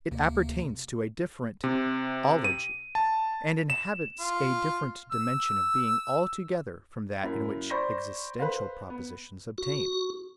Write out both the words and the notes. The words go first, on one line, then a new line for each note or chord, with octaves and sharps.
It appertains to a different "-ology," and inhabits a different dimension of being altogether from that in which existential propositions obtain.
D2 C3 A#3
C3
D#7
A5
E7
F4
E6
F#2 A#3 E4
C5 D5 B5 C#6 A#6
B4 C5 F5
B3
F#4